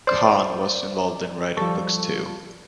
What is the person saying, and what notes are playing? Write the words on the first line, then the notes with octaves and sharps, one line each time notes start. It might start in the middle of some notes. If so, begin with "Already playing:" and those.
Khan was involved in writing books too.
C5 D5
F3 G3 A4 C#6